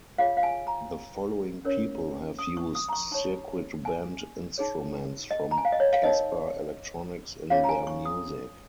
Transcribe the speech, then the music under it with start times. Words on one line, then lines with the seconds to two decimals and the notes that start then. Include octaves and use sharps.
The following people have used circuit bent instruments from Casper Electronics in their music.
0.18 F4 G#4 C#5 F5
0.37 F5
0.43 G#5
0.67 A#5
1.65 C#4 A#4 C#5
2.39 D#6
2.57 C#6
2.75 D#6
2.89 A#5
2.93 C#6
3.11 D#4 C#5 C#6
3.85 G#5
4.58 D#4 G#4 C#5
5.31 D#5
5.51 A#5
5.58 G#5
5.65 F5
5.72 D#5
5.80 C#5
5.93 F5
6.04 D#4 A#4 C#5 D#5
7.50 C#4 F4 G#4 C#5 F5
7.64 A#5
7.69 G#5
7.87 C#6
8.06 D#6